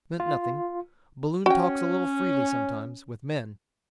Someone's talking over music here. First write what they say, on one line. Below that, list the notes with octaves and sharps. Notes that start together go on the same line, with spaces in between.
I meant nothing, Balloon talks a little freely sometimes, with men.
F4
C#4 F#4 G5